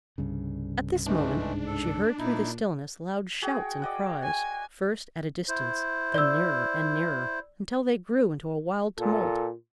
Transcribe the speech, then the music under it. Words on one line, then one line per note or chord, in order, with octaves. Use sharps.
At this moment, she heard through the stillness loud shouts and cries, first at a distance, then nearer and nearer, until they grew into a wild tumult.
C2 G2 C#3
G#2 E3 G#3 A3 D4
A4
A#2 D#4 E4
F#4 G#4 G5
D5 D#5 F#5
G#5
E4 C5
D5 E6
A#2 A4